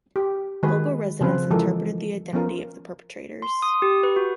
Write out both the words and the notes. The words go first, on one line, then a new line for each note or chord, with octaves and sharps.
Local residents interpreted the identity of the perpetrators.
G4
D#3 G#3 F#4 G#4 B4
C#3 F3 C4 B4 C5
E3 F3 G#3 A4 A#4
F3 B3 C#4 F4 A#4
C6
D#6
G4
B4
F#4